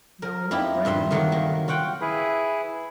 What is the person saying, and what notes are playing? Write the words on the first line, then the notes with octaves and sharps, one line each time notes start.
Now I won't write any more about that.
A#4
F2 F3 E4 G4 A#5 B5
G2 A#2 E5 C6
D#3 F#3 A3 A#3
A#3
F4 F#4 F#5 G5
E4 G#4 B4